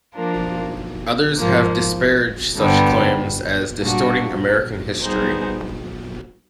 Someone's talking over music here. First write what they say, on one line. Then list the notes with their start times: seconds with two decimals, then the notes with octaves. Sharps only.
Others have disparaged such claims as distorting American history.
0.14 F3 A#3 D4 F4 A#4
1.36 G#2 F3 A#3
2.58 G2 D3 G3 B3
3.80 A#2 G3 A#3 D4 F#4
5.02 G3 B3 D#4 G#4 C5